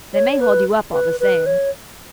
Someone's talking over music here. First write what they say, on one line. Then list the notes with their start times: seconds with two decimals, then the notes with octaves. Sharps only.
They may hold you up all the same.
0.14 C#5
0.41 B4
0.93 B4
1.20 B4
1.46 C#5